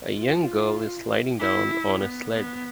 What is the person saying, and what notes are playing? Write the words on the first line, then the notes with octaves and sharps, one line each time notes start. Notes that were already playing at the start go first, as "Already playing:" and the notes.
A young girl is sliding down on a sled.
F4
E4
B3
B3